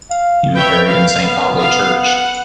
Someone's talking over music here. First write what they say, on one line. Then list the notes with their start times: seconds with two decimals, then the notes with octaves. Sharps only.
He was buried in San Pablo Church.
0.11 F5
0.55 B4 C#5 E5 G5
0.87 F5
1.20 B3
1.59 F5
2.04 F#5